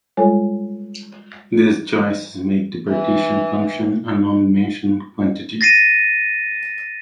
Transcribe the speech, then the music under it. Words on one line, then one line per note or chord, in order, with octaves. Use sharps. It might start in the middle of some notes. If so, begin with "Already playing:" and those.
These choices make the partition function a nondimensional quantity.
G3 G#3 F4 A4 C#5 G#5
E3
A6 A#6 C7 D#7